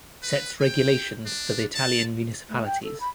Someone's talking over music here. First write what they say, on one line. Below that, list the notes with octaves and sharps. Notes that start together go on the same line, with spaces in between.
Sets regulations for the Italian municipalities.
B4
G5
D4
A5
A3
G5
A4
B5